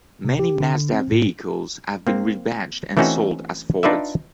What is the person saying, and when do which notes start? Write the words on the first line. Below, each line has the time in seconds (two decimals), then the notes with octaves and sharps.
Many Mazda vehicles have been rebadged and sold as Fords.
0.25 C3
0.39 G4
0.60 D3
0.93 C4
1.12 A2
2.07 A#3 C4
2.97 E3 A3 C4 C#4 D#4 F#4
3.83 D4 D#4 F4 B4 D5 E5